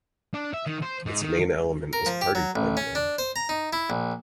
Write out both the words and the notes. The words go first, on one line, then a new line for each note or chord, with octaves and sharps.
Its main element was party cleansing.
D4
E5
D#3
C5
G#2
D#3
A#4
F3
G4
F#3
A1
C#4
D4
C5
A#5
D#4
E4
A#1